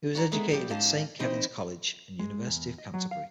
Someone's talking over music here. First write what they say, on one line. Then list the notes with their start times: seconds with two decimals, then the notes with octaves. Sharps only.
He was educated at Saint Kevin's College and University of Canterbury.
0.15 F#4 D5 A#5
0.32 G#3 A#3 B3 E4 G#4 A4
0.52 F3 G3 G4
0.70 G#2 C#4 G4 D#5 F5 A5
1.19 E3 C4 D#4 E4 D#5
2.19 G#3
2.48 E2
2.78 D#5
2.94 F#3
3.11 F5